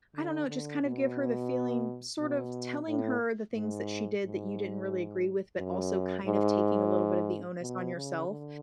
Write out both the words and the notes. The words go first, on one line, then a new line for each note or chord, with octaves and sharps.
I don't know, just kind of give her the feeling sort of telling her the things that she did that you didn't really agree with but also kind of taking a little bit of the onus on yourself
D3
D3
B2
B2
A2
G#2
G#2
F#2
G#2
B2
C#3
D3